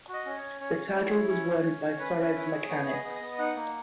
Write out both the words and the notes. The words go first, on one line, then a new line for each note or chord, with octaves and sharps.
The title was won by Forres Mechanics.
F#4 D#5
C#4
C#5
C#4
C#4 C#5
C#4
E4
E4
C#4 C#5
C#4
C#4
C#4
C#4 B4
C#4
B4
E4
C#5
G#4
B3 C#5
G#4
D#5
B3
D#5
B3
D#4 F#5
A#3